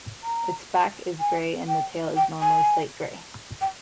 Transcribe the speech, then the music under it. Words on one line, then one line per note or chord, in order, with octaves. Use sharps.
Its back is gray and the tail is normally slate-gray.
A#5
G#5
G5
G5
G#5
G5